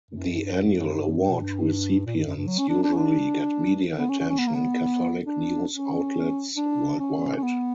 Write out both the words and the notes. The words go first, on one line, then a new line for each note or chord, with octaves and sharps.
The annual award recipients usually get media attention in Catholic news outlets worldwide.
F#2
G2
F#2
F#2
G2
F#2
G2
B2
G2
A#2
G2
F#2
G2
F#3
C#4
D4
D4
C#4
D4
B3
C#4
C#4
C#4
B3
A#3
B3
D4
C#4
D4
C#4
C#4
B3